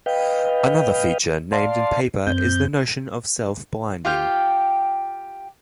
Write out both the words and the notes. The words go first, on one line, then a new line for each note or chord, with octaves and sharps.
Another feature named in paper is the notion of self-blinding.
B4 D#5 F5 G5
D5 F5 A5 C6
F#2 C4 G6
F4 G4 F5 G5